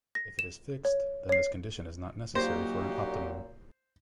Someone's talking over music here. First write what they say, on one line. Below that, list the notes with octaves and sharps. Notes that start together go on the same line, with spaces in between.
If it is fixed, then this condition is not necessary for an optimum.
A#6
E7
C#5
C#5 C7
A#2 F#3 A#3 D#4 F#4 G4 C5